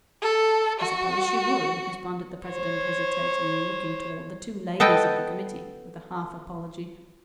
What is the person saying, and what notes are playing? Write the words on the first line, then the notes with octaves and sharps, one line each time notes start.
"I suppose she would," responded the president hesitatingly, looking toward the two ladies of the committee with a half apology.
A4
F#4
C5 C#5
B3 A4 D#5 G5